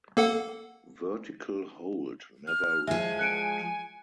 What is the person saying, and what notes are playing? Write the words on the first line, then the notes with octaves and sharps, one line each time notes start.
Vertical Hold never reformed.
A#3 A4 F#5
F6
F3 G#3 E5 G#5
F#6 C#7 D7